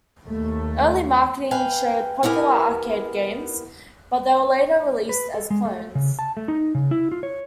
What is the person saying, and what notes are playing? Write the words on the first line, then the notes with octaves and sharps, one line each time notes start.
Early marketing showed popular arcade games, but they were later released as clones.
D#2 A3
B4 F5 G5 G#5
B3 E4 G4 A#4 G#5
B4
A4
G#3
A3
C#3
A5
A3
D#4
C#3
E4
F4
C#5